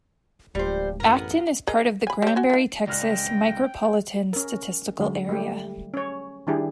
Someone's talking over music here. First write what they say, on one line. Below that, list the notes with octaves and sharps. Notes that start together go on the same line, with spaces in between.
Acton is part of the Granbury, Texas Micropolitan Statistical Area.
D1 F3 G3 G#3 G4 C5
A1 F#2 B3 A#4
G#4 A#4 D#5
G#5 B5
G3 C4
F#4 G#5
D#3 F3
C#2 D5 G5 F6 F#6 A#6
C#4 A#4
D3 F#3 G#3
G3 A3 G4
C#4 C#5
D#3 G3 D4 E4 G4 G#4